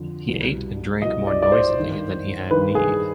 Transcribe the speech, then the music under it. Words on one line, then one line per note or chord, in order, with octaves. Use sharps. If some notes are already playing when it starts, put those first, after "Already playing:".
He ate and drank more noisily than he had need.
Already playing: F2 D3
C2 B2
C2 B2 D#5
D5
D5
C5
G2 D#3
G2 D#3 B4
G#4